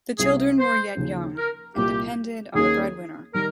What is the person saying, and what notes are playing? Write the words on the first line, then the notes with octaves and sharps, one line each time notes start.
The children were yet young, and depended on the breadwinner.
C2 C3 G3 C4 G#4
C5
D#2 C#3 F3
A#4
C2 A#2 G3 A#3 G4
D#2 D#3 A#3 C#4 G#4
D#3 G3 A#4